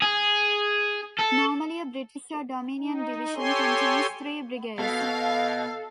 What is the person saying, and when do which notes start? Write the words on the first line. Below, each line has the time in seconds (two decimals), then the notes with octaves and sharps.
Normally a British or dominion division contains three brigades.
0.02 G#4
1.19 A4
2.80 D#4
3.36 G4 A4 C#5 G#5 C6
4.79 B2 A4 F5